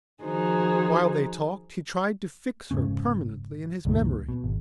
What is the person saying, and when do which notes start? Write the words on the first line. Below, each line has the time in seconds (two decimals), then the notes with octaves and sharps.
While they talked he tried to fix her permanently in his memory.
0.22 D#3 F3 D#4 F#4 G#4 C5
2.71 F1 G#2 C#3 C#4
3.85 C#2 G2 A#2 D#3
4.29 B2
4.44 G#1